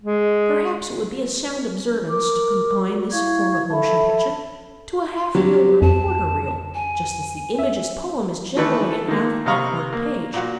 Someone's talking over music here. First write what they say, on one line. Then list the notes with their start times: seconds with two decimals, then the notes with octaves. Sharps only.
Perhaps it would be a sound observance to confine this form of motion picture to a half reel or quarter reel, just as the Imagist poem is generally a half or quarter page.
0.02 G#3
2.08 A#4 D6
2.92 F#4 D5
3.11 E4 F5 C#6 G#6
3.70 A4 E5 A5 B5
5.35 F#3 G3 G4
5.82 F2 A5
6.75 G#5
7.59 E5
8.57 D#3 E3 A3 A4 B4
8.92 A4
9.08 D#3 A#3
9.46 C3 D#5 F5 A#5 B5 C#6
9.93 A#3
10.34 A#2 F#4